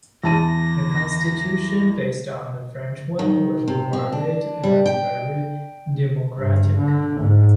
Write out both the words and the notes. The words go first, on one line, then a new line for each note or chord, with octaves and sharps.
The Constitution, based on the French one, was regarded as very democratic.
E2 A5 A#6 D#7
D#3
C3
C4
D4
G3
G5
G2
D3
G#2